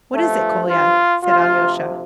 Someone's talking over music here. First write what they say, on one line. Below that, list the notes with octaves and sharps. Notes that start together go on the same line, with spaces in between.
"What is it, Kolya?" said Alyosha.
G2 F3 A3
F4
D2 C3 F3 F4